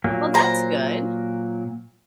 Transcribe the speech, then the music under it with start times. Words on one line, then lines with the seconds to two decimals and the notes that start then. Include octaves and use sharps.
Well, that's good.
0.04 A#2 F#3 A#3
0.34 C5 A#5